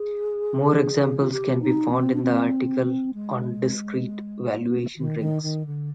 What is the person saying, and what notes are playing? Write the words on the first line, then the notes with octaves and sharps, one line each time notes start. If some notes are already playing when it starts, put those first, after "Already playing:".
More examples can be found in the article on discrete valuation rings.
Already playing: G#4
F4
G4
D#4
C4
D4
C4
G#3
D#3
D#3
D#3
D3